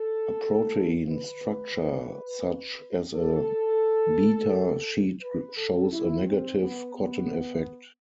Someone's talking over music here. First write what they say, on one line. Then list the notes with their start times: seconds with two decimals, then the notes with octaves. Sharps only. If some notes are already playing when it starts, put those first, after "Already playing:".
A protein structure such as a beta sheet shows a negative Cotton effect.
Already playing: A4
1.09 B4
3.16 A4
5.22 B4
5.57 A4
5.92 E4
6.26 C4
6.60 B3
6.96 B3